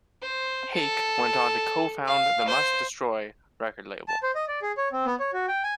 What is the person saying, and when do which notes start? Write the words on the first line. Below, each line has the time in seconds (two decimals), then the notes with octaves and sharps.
Hake went on to co-found the Must Destroy record label.
0.22 C5
0.74 A4
2.07 F5
2.48 C5
4.08 A5
4.23 C5
4.35 D#5
4.48 D5
4.62 G#4
4.78 C#5
4.92 C4
5.06 B3
5.20 C#5
5.33 F#4
5.48 G5
5.64 G#5